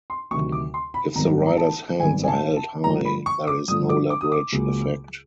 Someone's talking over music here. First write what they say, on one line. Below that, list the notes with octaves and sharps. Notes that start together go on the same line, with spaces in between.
If the rider's hands are held high, there is no leverage effect.
C6
D2 C3 D#3 F#3 C#6
D6
C6
B5
G#1 F#2 D#3 G3 B3 A#5
A#5
A5
G#1 F#2 D#3 G3 B3 G#5
G#5
A5
A5
G2 D3 F3 A3 A#5
B5
C#6
D6
G2 D3 F3 A3 D#6
D6
D6
D#6
D6
C#2 C#3 F#3 A#3